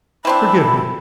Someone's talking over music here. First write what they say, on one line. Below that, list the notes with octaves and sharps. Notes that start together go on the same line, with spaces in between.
Forgive me! ...
E3 C4 D4 B5